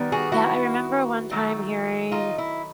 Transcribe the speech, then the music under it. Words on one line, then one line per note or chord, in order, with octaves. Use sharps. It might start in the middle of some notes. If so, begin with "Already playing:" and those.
Yeah, I remember one time hearing,
Already playing: D#3 G3 B3
F#4 G#4
E4 F#4
D#3 F#3 A3
D#4 F4
E4